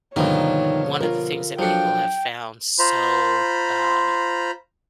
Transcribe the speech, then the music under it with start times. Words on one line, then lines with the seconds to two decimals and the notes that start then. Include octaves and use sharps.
One of the things that people have found so, um,
0.16 G2 B2 D3 D#3 F3 A#3 C#5
1.00 F4 A#4
1.59 F3 F#3 D4 A4 G5 C#7
2.79 F4 C5 A#5 B5